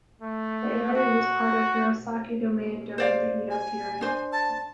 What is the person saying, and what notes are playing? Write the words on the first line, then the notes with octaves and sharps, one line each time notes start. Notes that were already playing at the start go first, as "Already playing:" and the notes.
The area was part of Hirosaki Domain during the Edo period.
A3
F#4
C5 D5 F5
G#5
D4 C5
A5